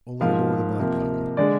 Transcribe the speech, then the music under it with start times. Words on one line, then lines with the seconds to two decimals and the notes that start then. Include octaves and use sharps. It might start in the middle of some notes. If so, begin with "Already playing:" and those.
'Only aboard the Black Diamond.
0.21 G#2 F3 A#3 F5
0.78 C3 F3 A#3
1.37 D3 G#3 D5